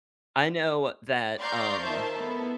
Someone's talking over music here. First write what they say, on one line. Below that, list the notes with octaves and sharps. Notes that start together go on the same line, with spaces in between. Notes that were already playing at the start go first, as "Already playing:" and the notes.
I know that, um
D5 F5 A#5 C6 C#6 G6
D#3 F4 C5 E5 A5
B3 E4 A4